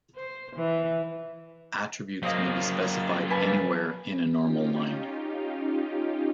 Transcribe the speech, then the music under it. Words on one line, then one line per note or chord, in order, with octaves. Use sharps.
Attributes may be specified anywhere in a normal line.
C5
E3
F#3 A#3 C5 D#5 F5
B4 G#5 A5
C#4 D#4 F4 G4